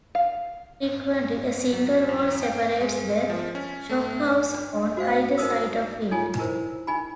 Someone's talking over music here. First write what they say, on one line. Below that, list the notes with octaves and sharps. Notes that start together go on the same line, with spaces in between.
Frequently, a single wall separates the shophouses on either side of it.
F5
F#3
E2
G5
G#3
F3
C#4
A3
D4
F#4 C5 F5 G5
D#4 A#4 C5 D#6 E6
D#4 F4 A4 C#5 G#5
E4 A#4 C5
D#4 G#5 B5